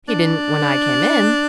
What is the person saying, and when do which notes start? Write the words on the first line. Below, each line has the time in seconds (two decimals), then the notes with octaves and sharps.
"He didn't when I came in."
0.09 D4